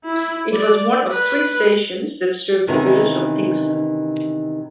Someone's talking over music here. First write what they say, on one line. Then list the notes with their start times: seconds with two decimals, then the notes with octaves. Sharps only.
It was one of three stations that served the village of Pinxton.
0.11 E4
0.55 D5
1.10 B4
2.68 C3 D#3 E3 B3 C#4 D#4